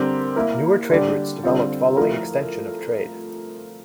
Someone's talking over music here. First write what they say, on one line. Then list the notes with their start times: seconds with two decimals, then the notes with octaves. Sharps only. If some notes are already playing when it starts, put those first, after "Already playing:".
Newer trade routes developed following extension of trade.
Already playing: D3 G3 C4 G4 A#4
0.36 A#3 E4 A#4
0.89 D3 G3 D4 G4
1.43 D3 G3 C4 F4
1.97 F3 A3 E4 A#4